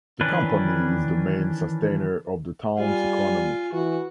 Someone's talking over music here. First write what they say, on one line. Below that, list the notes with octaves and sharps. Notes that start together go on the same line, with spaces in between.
The company is the main sustainer of the town's economy.
D#3 E3 C#4 D4 B4
G3 F4 G#5
E3 F#4